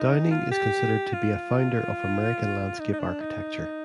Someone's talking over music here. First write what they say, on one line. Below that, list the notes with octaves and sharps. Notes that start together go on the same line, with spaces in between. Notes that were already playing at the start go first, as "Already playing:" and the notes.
Downing is considered to be a founder of American landscape architecture.
Already playing: D#4
F4
G4
F4
D#4
D#4
D4
D#4